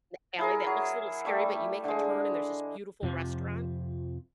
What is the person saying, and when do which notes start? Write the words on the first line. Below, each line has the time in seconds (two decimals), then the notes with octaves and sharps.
The alley that looks a little scary, but you make a turn and there's this beautiful restaurant?
0.39 E4 G#4 A#4
0.67 F#3
1.25 G3 A3 E5
1.84 D3 G#3
3.03 F2 C3 F3